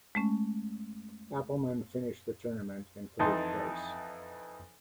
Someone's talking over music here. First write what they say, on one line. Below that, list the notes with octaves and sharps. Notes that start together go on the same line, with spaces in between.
Appleman finished the tournament in third place.
G#3 A3 C#4
F2 E3 D#4 A5 C6